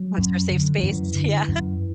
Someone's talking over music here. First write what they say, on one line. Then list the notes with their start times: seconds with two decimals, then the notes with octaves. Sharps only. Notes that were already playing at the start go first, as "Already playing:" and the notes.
Once our safe space. Yeah.
Already playing: F#3
0.18 F#2
0.50 D3
0.78 F#3
0.83 F#2 E3
1.15 D3
1.48 F#2